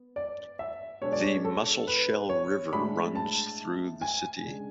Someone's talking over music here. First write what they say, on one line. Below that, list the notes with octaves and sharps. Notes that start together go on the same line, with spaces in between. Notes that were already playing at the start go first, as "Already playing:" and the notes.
The Musselshell River runs through the city.
Already playing: B3
D5
E5
B2 G#3 D4 C#5
D5
C#5
A4
B4
C#5
A2 G#3 D4 B5
A5
G#5
C#3 G#3 D4